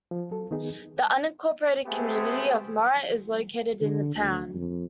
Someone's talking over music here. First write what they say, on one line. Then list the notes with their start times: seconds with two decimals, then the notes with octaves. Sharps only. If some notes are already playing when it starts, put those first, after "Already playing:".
The unincorporated community of Murat is located in the town.
0.11 F3
0.31 F#3 A4
0.51 D#3 B3 D#4 G#4
1.86 G#3 A3 B3 C4 G4 G#4
3.81 D3
4.16 D2
4.54 F2